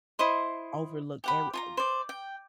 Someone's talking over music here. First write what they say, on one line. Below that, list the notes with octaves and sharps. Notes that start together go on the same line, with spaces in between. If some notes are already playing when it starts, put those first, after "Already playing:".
overlooked every, uh
E4 C5 D#5 C6
G4 F#5 B5
F4 A5 A#5
C5 D5
G5